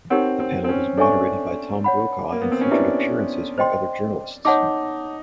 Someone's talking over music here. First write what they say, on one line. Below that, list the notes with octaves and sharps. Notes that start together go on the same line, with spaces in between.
The panel was moderated by Tom Brokaw and featured appearances by other journalists.
C4 D#4 G4 A#4 C#5 F#5
C4
C4
C#4
D4 A4 C#5 E5 G#5 C#6
C#5 F#5 B5
A#3
B3
C4
C#4
D4 E4 G4 B4 E5
C5 D#5 G5 C6
D#4 C#5 F#5 A5 D6